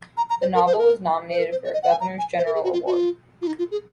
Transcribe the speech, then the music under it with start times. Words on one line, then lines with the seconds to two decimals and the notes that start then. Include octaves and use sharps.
The novel was nominated for a Governor General's Award.
0.17 A#5
0.30 A#5
0.41 C5
0.55 A#4
0.66 C5
0.73 G#4
0.78 A#4
1.30 C5
1.39 A#4
1.51 C5
1.64 C#5
1.74 D#5
1.83 F#5
1.91 G#5
2.00 A#5
2.19 G#5
2.37 C5
2.46 A#4
2.55 G#4
2.64 F#4
2.73 F4
2.86 F#4
2.93 F4
3.42 F4
3.47 D#4
3.59 F4
3.71 G#4